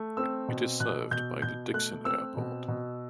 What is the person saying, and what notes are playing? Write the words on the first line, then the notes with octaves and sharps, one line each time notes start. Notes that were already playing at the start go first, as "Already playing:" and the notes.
It is served by the Dikson Airport.
Already playing: A3
C4 E6
B2
B2 F#6
B2 G6
B2 G6
A3 F#6
C4 E6
B2
B2